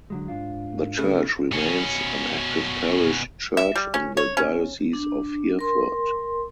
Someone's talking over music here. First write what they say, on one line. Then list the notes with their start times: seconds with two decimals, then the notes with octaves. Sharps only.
The church remains an active parish church in the Diocese of Hereford.
0.10 D3 F#3 G#3
0.28 G#2 D4 F4
0.98 C#3 A3
1.52 B2 C#4
3.57 E5
3.75 G3
3.94 C#4
4.17 C#5
4.37 C#4
4.93 D4
5.59 A#4 C6